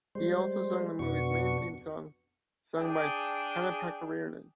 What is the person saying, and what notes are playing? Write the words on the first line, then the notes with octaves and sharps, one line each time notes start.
He also wrote the movie's main theme song, sung by Hanna Pakarinen.
G3 G#3 C5
F2 B2 B3 D4 F#4 C#6
D4 G#4 G5